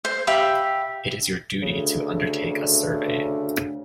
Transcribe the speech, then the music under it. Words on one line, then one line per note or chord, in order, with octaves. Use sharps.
It is your duty to undertake a survey.
C5
G4 E5 F5 B5
D2 C#3